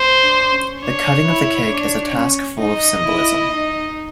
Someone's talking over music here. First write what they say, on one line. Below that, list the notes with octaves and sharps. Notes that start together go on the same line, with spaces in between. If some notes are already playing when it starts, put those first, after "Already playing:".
The cutting of the cake is a task full of symbolism.
Already playing: C5
D4
C#4
D4 C#5
E4
D4
C#4
D#4 D#5
E4
D#4